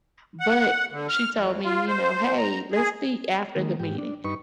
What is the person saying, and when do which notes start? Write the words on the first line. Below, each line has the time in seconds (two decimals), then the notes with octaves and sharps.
but she told me, you know, "Hey, let's speak after the meeting."
0.40 F#5
0.92 D3
1.09 F6
1.34 F2
1.65 F4
1.88 C5
2.37 A#5
2.72 G#4
3.56 D#3 G#3 A#3
3.80 G#2 G4
3.98 D4
4.25 G2 D#4 B4 C#6